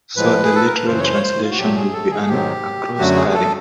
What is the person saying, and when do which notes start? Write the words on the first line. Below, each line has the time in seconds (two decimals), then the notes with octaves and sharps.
So the literal translation would be an "across-carrying".
0.16 A2 F3 G#3 B4
0.44 G#4
0.55 A4
0.65 A#4
0.76 B4
0.87 F#2 C#3 E3 C5
1.00 C#5
1.04 C5
1.14 C#5
1.23 C5
1.43 F4
1.51 F#4
1.57 A#2 F#3 A3 G4
1.75 G#4
1.93 A4
2.11 G#4
2.28 G#2 D#3 F#3 G4
2.99 F#2 D3 F#3 A3 F#4
3.16 G#4
3.29 G#4
3.34 A4